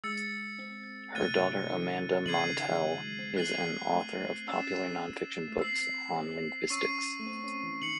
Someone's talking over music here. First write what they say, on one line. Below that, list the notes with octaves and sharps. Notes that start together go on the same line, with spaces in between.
Her daughter Amanda Montell is an author of popular nonfiction books on linguistics.
G#3 E6 A6 C#7
C4
A3 F#6 A6 D#7
C3
C3
F#3
D#3
C#3 G#6 C7 D#7 F#7
C#3
D#3
E3
F#3
G#3
C4
C4 F#6 C7 D#7 F#7
A3
C4
C#4 E6 A6 C7 E7
A3
C4 E6 C7 F#7
C4
C#4 C#6 E6 C7 D#7
A3
C4
C#4
E3
D#3 C#7 F#7